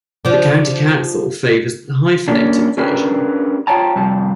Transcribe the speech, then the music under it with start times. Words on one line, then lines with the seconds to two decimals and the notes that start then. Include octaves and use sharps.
The County Council favours the hyphenated version.
0.25 F3 D4
2.28 A#3 C#4 D4
2.78 C#4 D4 G4 G#4 A#4 B4
3.67 F4 C5 C#5 G5 A5 A#5
3.95 F2 C3 G3 A5